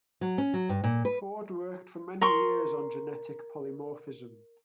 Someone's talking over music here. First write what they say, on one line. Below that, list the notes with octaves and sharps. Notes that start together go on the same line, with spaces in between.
Ford worked for many years on genetic polymorphism.
F#3
C#4
F#3
G2
A#2
B4
A#4 C6 C#6